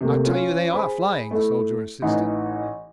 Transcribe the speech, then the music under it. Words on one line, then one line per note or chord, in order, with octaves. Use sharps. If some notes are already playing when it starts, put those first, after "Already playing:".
"I tell you they ARE flying," the soldier insisted.
C3 A3 A#3
C#4 F4
G#4 C5 B5
A3 E4
A1 E3 D#4